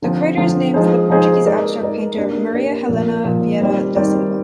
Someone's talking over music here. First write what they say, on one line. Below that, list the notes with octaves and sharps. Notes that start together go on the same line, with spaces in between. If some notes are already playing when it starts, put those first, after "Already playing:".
The crater is named for the Portuguese abstract painter Maria Helena Vieira da Silva.
D3 F3 C4
D3 F3 C4
F3 G#3 D#4 G#4 C5
F3 G#3 D#4 G#4 C5
G#3 D#4 A#4 D5
G#3 D#4 A#4 D5
A#3 D4 G4 D5
A#3 D4 G4 D5
A#2 F3 A#3
A#2 F3 A#3
D#3 G3 C4 G4 D5
D#3 G3 C4 G4 D5